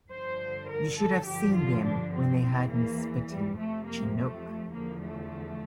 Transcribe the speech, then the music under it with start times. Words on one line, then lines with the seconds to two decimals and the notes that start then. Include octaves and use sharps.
You should have seen them when they heard me spitting Chinook.
0.12 G2 D3 F3 C5
0.70 A#4
0.98 A4
1.27 G2 D3 F3 G4
1.56 F4
1.85 D4
2.14 C4
2.42 E2 E3 C4
2.72 A#3
3.29 G3
3.57 F2 C3 F3 A3
3.86 A#3
4.15 A3
4.73 E2 D3 F3 A#3
5.02 A3